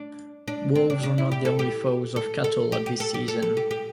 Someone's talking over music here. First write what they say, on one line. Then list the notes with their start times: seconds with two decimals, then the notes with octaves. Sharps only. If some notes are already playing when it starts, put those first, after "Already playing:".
Wolves are not the only foes of cattle at this season.
Already playing: D4
0.48 D4
0.75 C4
0.90 D4
1.03 D4
1.18 E4
1.32 G4
1.45 A4
1.59 G4
2.16 A4
2.44 A4
2.72 G4
2.86 G4
3.00 A4
3.14 G4
3.28 A4
3.42 A4
3.57 G4
3.71 G4